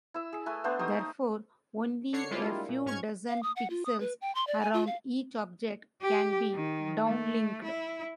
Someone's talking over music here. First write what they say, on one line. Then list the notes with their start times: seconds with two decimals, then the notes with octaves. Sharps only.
Therefore, only a few dozen pixels around each object can be downlinked.
0.14 E4 E6
0.33 G#4
0.46 A3 B4 G#5
0.64 A3 B3 D4 C5
0.79 D#4 G4 C5 D#6
0.99 D#4
2.13 D3 D4 C#5 C7 C#7
2.31 G3 G#3 A#3 D4 E4 F4
2.69 A#2
2.86 G#2 C#4 C#6 F6 G#6
3.29 F5
3.43 D#6
3.56 F#5
3.70 F4
3.85 D#6
4.00 B4
4.21 G5
4.35 C6
4.47 D5
4.61 G#5
4.74 F4
4.87 F5
6.01 G4
6.54 D#3
7.05 A3
7.64 E4